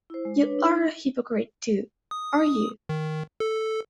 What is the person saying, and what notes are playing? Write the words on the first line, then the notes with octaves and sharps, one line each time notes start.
You are a hypocrite, too, are you?
E4 C5
G#3
D4 B4 C#5
D#4
D#6
D#3
A4